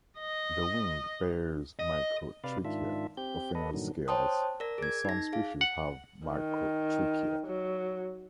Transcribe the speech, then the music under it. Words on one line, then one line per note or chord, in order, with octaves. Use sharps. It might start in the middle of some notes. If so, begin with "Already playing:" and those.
The wing bears microtrichia, often as scales, and some species have macrotrichia.
D#5
D#5
C3 B4 D5 F5
G#2 D#3 D4 F4 E5
C4 G4 G6
A4 B4 D#5
G2 A#2 D3 D#3 F#3
C5 C#5 G5 A5 C6 D#6
A#4 D5 A#6
G#4 G#6
D#4 A#6
G#4 F5
F#5
D#3
F#3